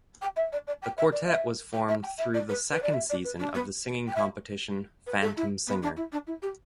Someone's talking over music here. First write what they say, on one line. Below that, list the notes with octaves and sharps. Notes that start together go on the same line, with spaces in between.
The quartet was formed through the second season of the singing competition "Phantom Singer".
G5
E5
D5
D5
G5
E5
D5
E5
G5
E5
G5
E5
D5
B4
B4
D5
E5
D5
B4
D4
B3
G5
E5
B4
A4
E4
B3
D4
E4
D4
E4
G4